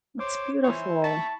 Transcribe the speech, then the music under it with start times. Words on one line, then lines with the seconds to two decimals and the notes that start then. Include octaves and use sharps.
That's beautiful.
0.19 C5 C#5 D6
0.64 E3 E4 C5 C#5
1.04 A5 B5 C#6